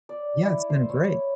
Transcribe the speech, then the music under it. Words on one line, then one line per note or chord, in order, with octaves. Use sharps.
Yeah. It's been great.
D5
E4
C5
C#5
C#5